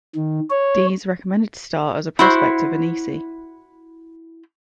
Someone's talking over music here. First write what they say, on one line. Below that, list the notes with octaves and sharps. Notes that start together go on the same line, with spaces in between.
Dees recommended Starr as a prospect to Vainisi.
D#3
C#5
E4 F#4 C5